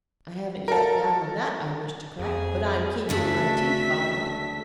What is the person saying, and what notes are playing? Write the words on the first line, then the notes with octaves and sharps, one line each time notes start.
I haven't yet found the nut I wish to crack, but I'm keeping my teeth filed.
A4 A#4
F2 G#4
D2 C#3 A3 D4 F#4 E5 B6